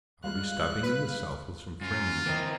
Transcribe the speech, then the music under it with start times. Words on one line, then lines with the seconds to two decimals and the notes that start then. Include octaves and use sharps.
I'll be stopping in the south with some friends.
0.24 G3 G#3 F4 F5 F#6
0.83 B4
1.81 F#2 F4
2.26 D#3 E3 A#3 C4 D#4